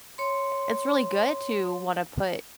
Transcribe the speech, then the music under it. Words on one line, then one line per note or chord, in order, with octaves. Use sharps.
it's really good to wanna put
C#5 C6